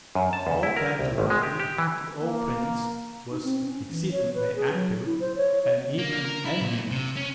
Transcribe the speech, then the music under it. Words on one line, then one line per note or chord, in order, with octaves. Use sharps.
All that July the old prince was exceedingly active and even animated.
F#2
A5
E2
E4
A#4
C2
G#1
G#3
G4
G4
E3
A#3
D#4
C4
C#4
E3
C#5
B4
G#4
F#3
E4
C5
C#5
C#5
A#3
A#4
E4
A#2
C3
C#4